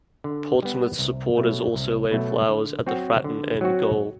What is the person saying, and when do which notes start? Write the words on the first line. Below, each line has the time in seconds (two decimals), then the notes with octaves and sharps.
Portsmouth supporters also laid flowers at the Fratton End goal.
0.24 D3
0.62 G3 B3
0.99 C2
1.37 B2 F#3 A3
1.74 C2
2.11 B2 F#3 A3
2.49 D3
2.86 F#3 C4 F#4
3.24 D3
3.61 F#3 C4 F#4